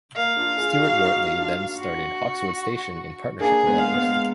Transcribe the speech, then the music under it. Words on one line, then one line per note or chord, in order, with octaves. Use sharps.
Stuart-Wortley then started Hawkeswood Station in partnership with others.
A#3 F5
D4 F4
F4 G#4
D#4 F#4
D#4 F#4
D4 F4
F#4
A#3 D4 G#4
G#3 B3
F5
G#3 B3